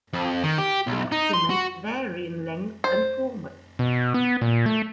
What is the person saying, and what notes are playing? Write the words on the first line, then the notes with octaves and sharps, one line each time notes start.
The documents vary in length and format.
F2
D#3
G4
B1
D#4
C6
F#4
C5
B2
B3
A#2
A3